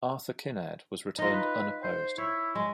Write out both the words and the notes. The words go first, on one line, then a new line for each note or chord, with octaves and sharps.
Arthur Kinnaird was returned unopposed.
D#4 F4 A#5
B4
C5
E4 C#5
G#3